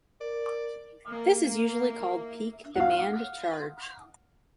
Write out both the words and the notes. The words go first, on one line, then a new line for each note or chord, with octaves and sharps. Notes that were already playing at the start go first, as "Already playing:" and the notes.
This is usually called peak demand charge.
A#4 D5
A#3
F5 F#5